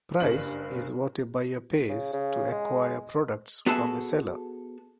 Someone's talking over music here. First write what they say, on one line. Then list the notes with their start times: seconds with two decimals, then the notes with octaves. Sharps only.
Price is what a buyer pays to acquire products from a seller.
0.20 F#1 G2 F#7
1.89 C#3
2.13 C#3
2.52 G#3
3.66 B3 F#4 G#4 A4 E5 A5